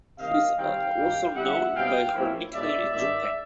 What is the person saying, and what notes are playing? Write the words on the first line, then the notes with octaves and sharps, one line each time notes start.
She is also known by her nickname in Japan.
C3 D#3 G3 A#3 D#5 F5
D#3 G3 C4 D#4 F5 G5
F#2 D#3 G3 A#3
D3 G3 B3 E4 E5 F#5
B2 G3 C4 D#4 F5 G5
A2 F3 A#3 C#4 E4
B2 G#3 C#4 E4 D5 E5
G2 D#3 G#3 C#4 D5 E5